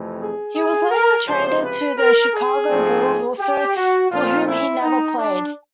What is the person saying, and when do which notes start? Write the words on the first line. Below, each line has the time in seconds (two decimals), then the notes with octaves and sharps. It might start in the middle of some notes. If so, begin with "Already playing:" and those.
He was later traded to the Chicago Bulls, also for whom he never played.
Already playing: F2 C3 E3 A3
0.19 G#4
0.55 G#4
0.91 A#4
1.26 C#2 C3 F3 C5
1.61 B4
1.97 A#4
2.33 G#4
2.68 G#2 F3 A3 C4
3.39 G4
3.76 F#4
4.10 A#2 F3 A3 C4 F4
4.46 E4
4.81 D#4
5.17 D4